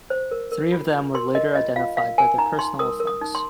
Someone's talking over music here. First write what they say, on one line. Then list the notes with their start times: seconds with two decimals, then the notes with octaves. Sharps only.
Three of them were later identified by their personal effects.
0.10 C5
0.31 A#4
0.52 A#4
0.72 F4
0.94 F4
1.14 A#4 C6
1.35 A#4 D#5
1.55 F4 D#5
1.76 F4 F5
1.97 A#4 F5
2.18 A#4 G#5
2.38 D#4 A#5
2.59 D#4 C6
2.79 A#4 D#6
3.00 A#4
3.07 D#6
3.21 D#4
3.35 C6